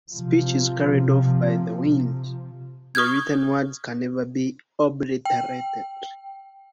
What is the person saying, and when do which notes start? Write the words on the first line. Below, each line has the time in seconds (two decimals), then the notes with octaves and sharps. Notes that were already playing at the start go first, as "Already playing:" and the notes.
Speech is carried off by the wind; the written word can never be obliterated.
0.12 C3 F3
2.95 C#6 D#6 F6 G6 G#6
5.25 G5